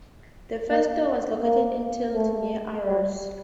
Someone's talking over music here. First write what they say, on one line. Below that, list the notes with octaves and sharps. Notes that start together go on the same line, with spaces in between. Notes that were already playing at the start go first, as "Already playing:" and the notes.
The first store was located in Tilst, near Aarhus.
A#3
A#3
A3
G3